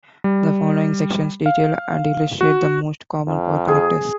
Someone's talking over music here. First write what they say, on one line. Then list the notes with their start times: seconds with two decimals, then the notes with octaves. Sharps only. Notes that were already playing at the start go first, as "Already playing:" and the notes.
The followin sections detail and illustrate the most common power connectors.
0.24 G3
1.46 F5
2.41 F#4
3.27 F2
3.68 G#4